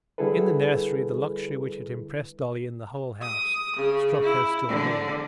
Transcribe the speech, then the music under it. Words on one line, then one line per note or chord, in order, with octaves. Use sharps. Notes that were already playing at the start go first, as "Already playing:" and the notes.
In the nursery the luxury which had impressed Dolly in the whole house struck her still more.
D3 G3 E4 G#4 A4 B4
D#6
C#3
E4
D3